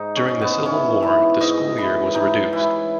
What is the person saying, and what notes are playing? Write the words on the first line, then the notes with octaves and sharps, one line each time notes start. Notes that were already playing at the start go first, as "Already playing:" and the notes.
During the Civil War, the school year was reduced.
Already playing: G#2 D#4
C#4
G#2
B3
E3 C#4
E3 E4
G#2 D#5
E3 B4
E3 D#4
E3 E4